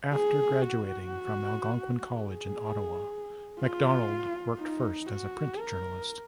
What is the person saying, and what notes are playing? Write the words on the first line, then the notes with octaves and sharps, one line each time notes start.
After graduating from Algonquin College in Ottawa, Macdonald worked first as a print journalist.
G#4
F#4
G#4
F4
D#4
F#4
A#4